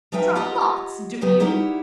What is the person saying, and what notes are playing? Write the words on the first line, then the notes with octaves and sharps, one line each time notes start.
Draw lots, do you?
F3 C#4 D#4 B4 E5 G5
F4 G4 C#5 D#5 F#5
C#3 F#3 B3 G4
G3 D#4 E4 G4 C#5 F#5